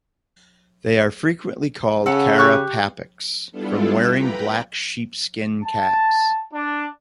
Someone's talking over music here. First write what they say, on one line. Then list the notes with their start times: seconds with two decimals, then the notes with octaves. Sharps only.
They are frequently called Kara Papaks, from wearing black sheep-skin caps.
2.06 C#3 A4 F#5
2.38 G4 C#6 F#6
3.51 G3 B3 D4 E4 F4 A4
4.07 B4 G5 A#5 B5
5.62 A5
6.54 D4